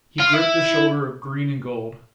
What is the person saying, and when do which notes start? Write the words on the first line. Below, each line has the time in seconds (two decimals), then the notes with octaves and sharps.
He gripped the shoulder of green and gold.
0.20 F4
0.33 E4